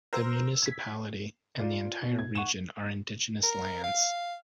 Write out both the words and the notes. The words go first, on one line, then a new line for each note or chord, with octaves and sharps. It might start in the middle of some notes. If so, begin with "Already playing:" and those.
The municipality and the entire region are indigenous lands.
A#4 C5 E6
G#6 B6
F4 D5
B2
G#6
F#5 C#6 D#7 E7
A#4
F5